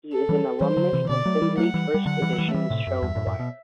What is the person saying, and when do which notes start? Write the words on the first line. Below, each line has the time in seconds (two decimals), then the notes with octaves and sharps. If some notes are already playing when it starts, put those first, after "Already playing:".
He is an alumnus of Findlay First Edition Show Choir.
0.12 A4
0.29 E3 G3
0.61 E3 G3 C5
0.77 D3 F#3
0.93 C3 E3
1.05 E3
1.09 B2 D3 D5
1.25 F#3 A3
1.41 E3 G3
1.57 F#3 A3 F#5
1.74 E3 G3
1.94 G3
2.05 D3 F#3 F#5
2.22 E3 G3
2.33 F#3
2.38 E3 G3
2.48 A3
2.54 E3 G3 E5
2.70 A2 C3
2.87 F#2
3.02 E2 G2
3.15 F#2 A2
3.27 F#2 A2
3.39 B2